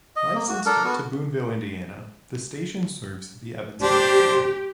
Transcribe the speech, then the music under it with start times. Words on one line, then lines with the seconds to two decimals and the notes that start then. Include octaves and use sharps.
Licensed to Boonville, Indiana, the station serves the Evansville area.
0.16 D#5
0.35 A#3
0.49 F#4
0.66 D4 A4 A#4
0.84 B3 F#4
3.82 D4 G4 C5